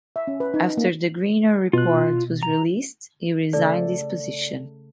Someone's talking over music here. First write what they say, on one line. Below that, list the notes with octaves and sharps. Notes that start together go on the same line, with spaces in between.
After the Grenier report was released, he resigned his position.
E5
C#4
B4
D#4
A#3
B2 F4 F#6
A#5
C#3 A3 A4 D5